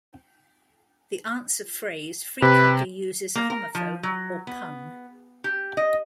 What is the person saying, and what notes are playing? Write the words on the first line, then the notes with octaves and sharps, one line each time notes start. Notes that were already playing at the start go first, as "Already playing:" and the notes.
The answer phrase frequently uses a homophone or pun.
C3 B4
A#3
A#4
F3
F#3
B3
G4
D#5